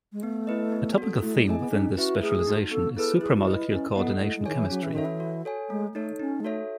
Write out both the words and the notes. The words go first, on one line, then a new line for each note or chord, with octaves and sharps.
A topical theme within this specialization is supramolecular coordination chemistry.
G#3
A3 B3
E4 B4 D#5
B3
F#4 A4
A3 E4
G#3
A3 G#4 D#5 G#5
B3
C#4 D#4
E4 F#4 B4 E5
A3 G#4
D#4 F#4
B3 A4
E4 G#4 A4 B4
E4 G#4
F#4
B4 D#5
E4
C#4 E4
B3 A4 D#5 F#5
A3 E4
G#3
D#3 G#4 C#5 G#5
E3
F#3 C#4
E3
D#3 F#4 A4 C#5 E5
E3
F#4
A4 C#5 G#5
G#3 A3
A3 D#4 A4 C#5
C#4 D#4
G#3
A3 F#4 A4 C#5 E5